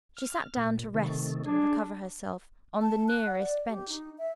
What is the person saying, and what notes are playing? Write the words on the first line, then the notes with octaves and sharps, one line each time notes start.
She sat down to rest and recover herself on the nearest bench.
F6
A#2
C3 D#3 A3
D4 G#4
A5
F#6
F#5
D5
G4
D#4
E5